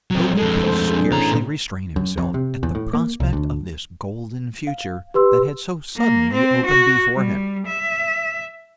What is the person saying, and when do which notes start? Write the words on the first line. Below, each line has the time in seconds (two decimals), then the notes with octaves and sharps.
Toby could scarcely restrain himself at the prospect of this golden future that had so suddenly opened before him.
0.11 F#3 C4
0.38 F2 G#3 A4
0.64 A3 A4 C5
0.89 C4 D4 G#4
1.12 A2 E3 C#4 A#5
1.96 F#2
2.18 F2
2.34 C3
2.63 E2
2.75 A2
2.93 A#3
3.20 C2
3.33 D2
4.67 F5
5.14 G4 B4 C6 E6
5.97 A#3
6.33 C4
6.66 F#4
7.13 G3
7.67 E5